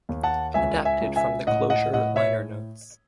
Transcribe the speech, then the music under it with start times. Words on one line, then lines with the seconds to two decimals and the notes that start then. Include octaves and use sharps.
Adapted from the "Closure" liner notes.
0.09 D#2
0.23 F#5 A5
0.54 C#2 E5 G#5
0.85 E5 G#5
1.01 C#2
1.16 E5 G#5
1.47 A2 D#5 F#5
1.70 D#5 F#5
1.93 A2 D#5 F#5
2.16 C#5 E5